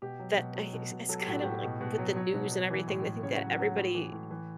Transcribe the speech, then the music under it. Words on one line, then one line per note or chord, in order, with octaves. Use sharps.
that i it's it's kind of like with the news and everything, they think that everybody
B2 G4
F#3
B2
F#3
B2
B2
F#3 A4
G4
A2 F#4
A2 G4
B2
B2
F#3
F#3 C#5
B2
F#3
E3
A2
A2
C#3 C#5
F#4
F#3
F#4
F#3
A2
E3
A2
E3